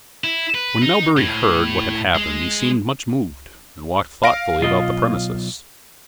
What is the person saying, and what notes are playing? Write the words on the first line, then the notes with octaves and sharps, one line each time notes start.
When Melbury heard what had happened he seemed much moved, and walked thoughtfully about the premises.
E4
B4
D#4
A2
G#3
F5 A#6 D7
B1 F4 D#5